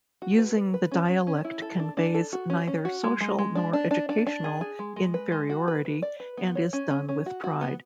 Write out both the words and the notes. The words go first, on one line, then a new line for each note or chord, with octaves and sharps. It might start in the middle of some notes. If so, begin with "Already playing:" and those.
Using the dialect conveys neither social nor educational inferiority and is done with pride.
F#4
B4
B4
B4
C#4
C#4
C#4
E4
A4
D4
D4
A4
F#4
C#4
C#4
F#4
G#3
G#3
G#3
D4
D4
D4
D4
D4
G#4
G#4
G#3
G#3
B4
G#3
F#4
B4
B4
D5
B4
B3
C#5
C#4
C#4
C#4
F#4
F#4
B3